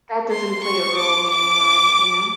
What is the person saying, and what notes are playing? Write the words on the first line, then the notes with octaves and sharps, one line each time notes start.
that doesn't play a role in your life, you know?
C6
C#6
D6
D6